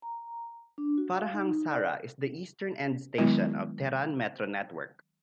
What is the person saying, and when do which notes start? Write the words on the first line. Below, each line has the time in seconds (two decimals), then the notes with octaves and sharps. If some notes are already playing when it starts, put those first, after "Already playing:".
Farhang Sara is the eastern end-station of Tehran Metro network.
0.02 A#5
0.78 D4
0.98 F#4
1.15 F5
1.34 D#4
1.71 D5
3.18 D#3 F#3 G#3 B3 E4